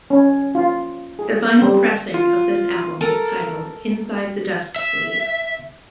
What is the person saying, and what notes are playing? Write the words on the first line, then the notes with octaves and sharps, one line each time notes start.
The vinyl pressing of this album is titled "Inside the Dust Sleeve".
C#4
F4
G#4
G3
F4
A4 A#4
E5